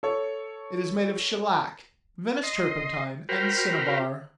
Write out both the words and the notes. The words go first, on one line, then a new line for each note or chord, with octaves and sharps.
It is made of shellac, Venice turpentine and cinnabar.
A4 C#5
D#5 C6
F#4 A#4 C5 G5 B5 F6